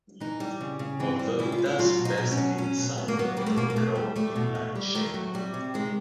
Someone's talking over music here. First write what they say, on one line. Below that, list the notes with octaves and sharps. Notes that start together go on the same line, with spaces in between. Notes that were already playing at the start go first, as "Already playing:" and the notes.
Although it does best in sun, it will grow in light shade.
E3 D#4
G3
C#3
C#3
E3 C4
G3
C#3 E4
F4
C#3
E4
F#3 F4
B2
D#4
B2
C#4
F#3
F#3 C#4
B2
B2 B3
A#3
F#3 B3
G3 A#3
A3
B2 A#3
A#3
B2 A3
G3
G3 A3
B2
B2
G3
D#3 A3
F#3
C3 G3
C3
D#3 G#3